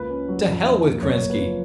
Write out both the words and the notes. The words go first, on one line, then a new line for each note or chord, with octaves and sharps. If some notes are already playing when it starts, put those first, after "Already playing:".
To hell with Kerensky!
Already playing: C#2 A#3 B4
C#4
F#3
F2
D#4
A#3
F#1 C#5
A#3
B4
F3